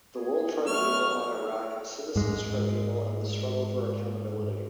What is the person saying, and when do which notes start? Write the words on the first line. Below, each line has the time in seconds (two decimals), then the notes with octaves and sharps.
'The World Tribunal on Iraq: Citizens' Tribunals and the Struggle for Accountability'.
0.16 B3 G#4
0.67 F#3 A3 C#6 F6
2.16 G#2 G#3